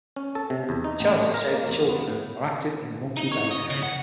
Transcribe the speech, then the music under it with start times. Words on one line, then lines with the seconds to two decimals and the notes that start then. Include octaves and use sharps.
The charity Save the Children are active in the Monkey Bay area.
0.16 C#4
0.35 A4
0.50 C3
0.69 E2
0.84 D#4
1.00 A1
1.21 A3
1.34 A#4
1.53 A#3
1.69 F2
1.89 B3
2.08 A2
3.17 D#4
3.32 C#5
3.51 D#5
3.70 C#3
3.83 F#5